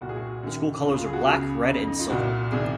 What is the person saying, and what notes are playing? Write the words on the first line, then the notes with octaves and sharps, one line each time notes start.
The school colors are black, red, and silver.
C2 A#2 F#4
G#4
F#4
F#2 D#3
C#2 C#3 F4
F4
G#4
F#4
C#2 C#3 G#4
F2 C#3
D#4
F4
C2 A#2 F#4
C2 C3 D#3 G#4